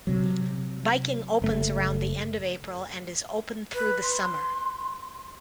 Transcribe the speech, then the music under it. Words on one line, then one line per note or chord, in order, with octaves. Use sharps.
Biking opens around the end of April and is open through the summer.
C3 F#3
F#1 A3
B4
C6